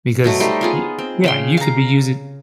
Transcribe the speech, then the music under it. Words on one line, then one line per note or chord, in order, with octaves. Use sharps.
because, y yeah, you could be using
B2 F#3 A3
G3 A3 D#4 C5
B3 F4 G#4
C4
C#3 G5 C6
F5 A#5